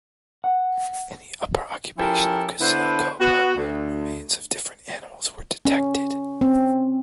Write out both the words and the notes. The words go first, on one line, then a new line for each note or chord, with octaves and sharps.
In the upper occupation of Kizil Koba remains of different animals were detected.
F#5
F3 C#4 E4 G4 A4 A#4
D3 B3 D4 E4 B4 C5
B3 F#4
D2
C#4
C4